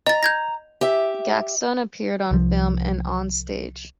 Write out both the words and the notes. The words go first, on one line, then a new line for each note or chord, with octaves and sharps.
Gaxton appeared on film and onstage.
D#5 A#5 A6
G6 G#6 A#6
G4 E5
C2 F3